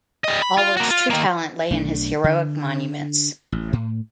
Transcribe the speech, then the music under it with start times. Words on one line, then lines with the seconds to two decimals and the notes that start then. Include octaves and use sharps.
Allward's true talent lay in his heroic monuments.
0.24 G3 D#5
0.42 B5
0.58 F4
0.77 A#3 F#4
0.91 F4
1.10 D#3 A#3
1.71 B1 A3 D4
2.24 D3
3.52 A1
3.73 A2